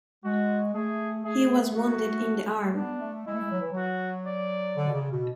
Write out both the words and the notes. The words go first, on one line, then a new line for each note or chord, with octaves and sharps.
He was wounded in the arm.
G#3 F#4
A3 G#4
A3 G#4
F#4
B3 D4
A3
G#3 E4
A3
G#3
F#3
E3
F#3
F#4
D5
D3
B2
C#3
B2